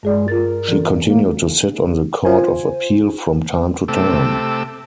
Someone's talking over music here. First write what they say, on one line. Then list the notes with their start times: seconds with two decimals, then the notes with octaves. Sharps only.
She continued to sit on the Court of Appeal from time to time.
0.03 G2 G#3 G#4 D5
0.28 F4 A#4 A6
0.68 E3 A4
1.04 A#3
2.25 F4 C5 G#5
3.88 C3 A3 D6 E6